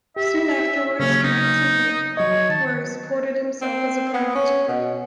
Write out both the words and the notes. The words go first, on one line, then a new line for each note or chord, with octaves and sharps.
Soon afterwards he went to Weimar, where he supported himself as a private tutor.
G4 E5
C#3 F#3 A#3 C#4
D#4
F#3 C#5 D#5
D#3 A5
C4
B3
C#4
B2